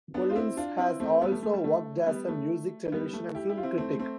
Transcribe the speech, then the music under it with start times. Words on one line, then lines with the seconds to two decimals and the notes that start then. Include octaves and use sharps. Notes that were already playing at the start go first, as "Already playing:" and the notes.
Collins has also worked as a music, television and film critic.
0.14 B3 D4
0.30 F4
0.36 C4 E4
0.57 D4 F4
0.78 C4 E4
1.00 A3 C4
1.22 G3 B3
1.32 A3
1.43 A3
1.53 G3
1.64 A3
2.06 G3 B3
2.28 A3
2.92 G3 B3
3.13 A3
3.35 E4 G4
3.49 E4 G4
3.57 F4
3.63 C4 E4
3.78 A3 C4
3.99 A3 C4